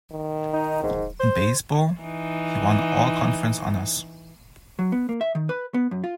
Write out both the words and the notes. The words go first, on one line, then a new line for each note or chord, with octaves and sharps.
In baseball, he won All-Conference honors.
D#3
D#4
G#2
C5
E3 D#4
F#3
B3
A#3
E5
D#3
B4
B3
F#2
F4